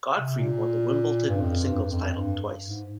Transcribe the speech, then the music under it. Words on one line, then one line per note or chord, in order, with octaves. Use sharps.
Godfree won the Wimbledon singles title twice.
C3
A#2
G2
F2
G2
F2
G2
G#2